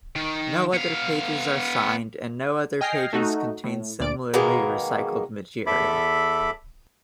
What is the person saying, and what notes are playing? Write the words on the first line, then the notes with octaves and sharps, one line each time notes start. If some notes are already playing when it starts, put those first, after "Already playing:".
No other pages are signed and no other pages contain similarly recycled material.
D#3
B3 F5
D#5 G5 G#5 F6 A#6 C7
A3 D#4 F#4
A2
D2 D5 D7
B2 D#3 G#3 A#3
E2 A4 E5 B5 D6